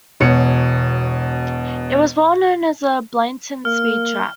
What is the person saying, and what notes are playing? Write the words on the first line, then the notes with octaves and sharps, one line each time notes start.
It was well known as a blatant speed trap.
E1 B2 C#5 C#7
A#3 F6